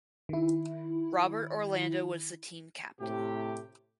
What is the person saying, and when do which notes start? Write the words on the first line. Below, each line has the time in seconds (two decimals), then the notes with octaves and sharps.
Robert Orlando was the team captain.
0.29 D#3 E4
3.00 A2 C3 G4